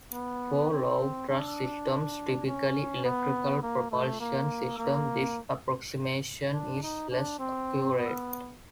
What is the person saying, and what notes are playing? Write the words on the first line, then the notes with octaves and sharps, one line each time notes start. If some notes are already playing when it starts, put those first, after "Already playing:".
For low thrust systems, typically electrical propulsion systems, this approximation is less accurate.
B3
C4
D4
C#4
B3
A#3
A3
A#3
A#3
D4
D#4
D4
C4
B3